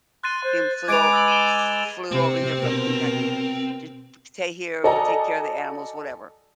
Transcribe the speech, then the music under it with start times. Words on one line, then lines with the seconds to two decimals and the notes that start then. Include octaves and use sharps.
he flew o flew over here from Kentucky to to stay here, take care of the animals, whatever.
0.24 C6 F#6 A6 D#7
0.44 C5
0.88 G#3 B4 D6 G#6 D7 F7
1.13 E6 A6 F#7
1.28 D#7 E7 G7
2.12 C3 C4
2.58 B2 A#4
4.84 F#4 A4 D5 D#5 G#5 A#5